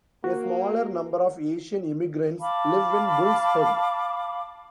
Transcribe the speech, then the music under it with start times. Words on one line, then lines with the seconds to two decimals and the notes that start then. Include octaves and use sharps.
A smaller number of Asian immigrants live in Bulls Head.
0.24 A#3 F#4
2.40 F5 A5 B5 D6